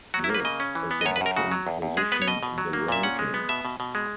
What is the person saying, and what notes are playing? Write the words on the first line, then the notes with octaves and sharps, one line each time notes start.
This is the bottom position in the rankings.
F#3 F#4
E4
A#3 B4
C#3 D#5
C#4
E3
B3
D#5
F#2 C#5
B4
F#2 A#4
C#3 F#4
F#3
E2
E2
G#3 G#4
B3 B4
C#5
B2 D#5
B2
F#3
A#3
A#2 E5
C#4 F#5
G#3
B3
B2 E5
B2
B2
G#3